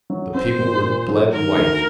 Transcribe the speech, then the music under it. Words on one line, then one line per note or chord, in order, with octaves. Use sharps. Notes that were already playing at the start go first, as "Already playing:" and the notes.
The people were bled white.
F#3
C4 C5
A#2
A#2
F#3
D#3 A#4
D2